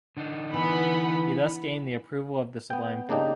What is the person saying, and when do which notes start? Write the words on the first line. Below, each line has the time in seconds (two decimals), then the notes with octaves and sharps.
He thus gained the approval of the Sublime Porte.
0.17 D3 D4 D#4
0.54 E3 B3 F#5 B5
2.70 B3 G5
3.09 C#3 A#3 D4 D#4 G4